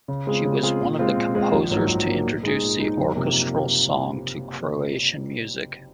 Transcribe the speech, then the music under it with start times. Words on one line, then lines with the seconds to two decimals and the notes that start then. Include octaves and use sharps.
She was one of the composers to introduce the orchestral song to Croatian music.
0.08 C#3
0.27 G#3 C4 F4 G#4
0.45 C#3
0.63 G#3 C4 F4 G#4
0.81 A#2
0.99 G#3 C4 F4
1.17 A#2
1.35 G#3 C4 F4
1.53 A#1
1.71 G#2 F#3 A#3
1.89 A#1
2.07 G#2 F#3 A#3
2.25 A#2
2.43 G#3 D#4 G#4
2.62 A#2
2.80 G#3 D#4 G#4
2.98 F#1
3.15 C3 F3 A#3